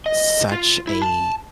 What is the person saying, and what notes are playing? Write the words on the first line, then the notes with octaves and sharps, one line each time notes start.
such a
D#5
F4
E4
A5